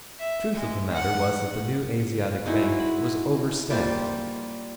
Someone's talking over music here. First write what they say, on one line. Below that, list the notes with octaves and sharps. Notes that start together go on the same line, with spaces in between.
The truth of the matter was that the New Asiatic Bank was over-staffed.
E5
G#3
F#5
G#3 D#4 E4 F#4
B5
G3 A#3 F4 C5